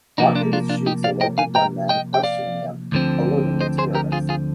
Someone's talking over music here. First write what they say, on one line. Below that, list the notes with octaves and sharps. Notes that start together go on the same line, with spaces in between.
Hawkins shoots a local gunman questioning him, alerting the terrorists.
C3 F3 A#3 D4 D#4
D4 F4
D4 F4
D4 F4
D#4 G4
D5 F5
D#5 G5
F5 G#5
G5 A#5
D#5 G5
G5
D5 F5
D2 D3 F3 C4
C5 D#5
G#4 C5
G4 A#4
F4 G#4
F4 G#4